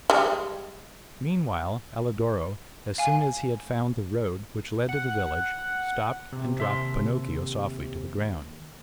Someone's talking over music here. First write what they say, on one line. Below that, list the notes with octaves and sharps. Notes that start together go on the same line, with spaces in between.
Meanwhile, Alidoro, as soon as he had found the road which led to the village, stopped and dropped Pinocchio softly to the ground.
G3 G#3
F5 G#5
F#5
C3
D#2 E5 C6